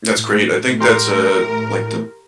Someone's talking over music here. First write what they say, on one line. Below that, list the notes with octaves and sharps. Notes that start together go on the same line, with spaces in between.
That's great. I think that's, uh, like, the
A2
G4 A#4 A#5 C6